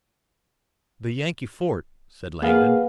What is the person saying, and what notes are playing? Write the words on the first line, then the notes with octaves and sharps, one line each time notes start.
"The Yankee fort," said Langdon.
A#3 B3 G#4 B4 F5